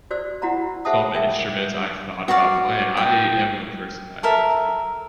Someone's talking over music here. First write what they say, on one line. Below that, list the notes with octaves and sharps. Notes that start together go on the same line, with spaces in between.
some instruments I thought about playing. I am a person that feels like
F#4 C5 D5 E6
E4 F#4 F#5 A#5 B5
G#4 C5 E5 F#5 A5 D#6
G#4 A#4 E5 G5 G#5
F#4 C#5 D5 F5
G5
A4 A#4 E5